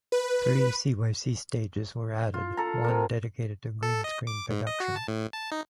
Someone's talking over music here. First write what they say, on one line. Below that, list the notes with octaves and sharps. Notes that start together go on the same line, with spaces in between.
Three cyc stages were added, one dedicated to green screen production.
B4
F4
A4 A#5
C3 A#4
A4
D#5
D6
G#2
D#5
F#4
A5
A2
A5
D#4